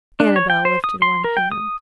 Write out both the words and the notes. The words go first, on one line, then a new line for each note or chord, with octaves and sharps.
Annabel lifted one hand.
D4
C#5
G5
C5
D#6
C6
A#4
G5
D#6